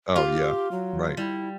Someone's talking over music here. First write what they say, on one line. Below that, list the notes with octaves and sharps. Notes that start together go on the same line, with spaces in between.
Oh, yeah. Right.
F4 G4
F#3
G3 E4